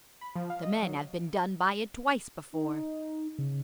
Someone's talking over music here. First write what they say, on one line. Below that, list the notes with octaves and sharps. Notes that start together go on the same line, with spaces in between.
The men have been done by it twice before.
B5
F3
F5
D#5
F#3
D#4
C#3